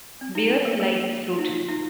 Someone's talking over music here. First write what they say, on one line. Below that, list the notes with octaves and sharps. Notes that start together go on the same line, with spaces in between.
Bears like this fruit.
C4
D#4
C4
A#3
A#3
D#4
F4
D#4